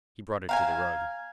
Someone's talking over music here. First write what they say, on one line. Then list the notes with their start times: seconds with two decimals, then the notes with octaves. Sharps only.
He brought it to the rug.
0.49 F5 G5 G#5 A#5
0.71 G#6